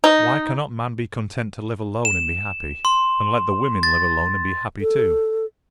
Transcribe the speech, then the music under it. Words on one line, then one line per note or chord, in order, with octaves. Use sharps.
Why cannot man be content to live alone and be happy, and let the women live alone and be happy too?
D#4
E7
C6
A6
A4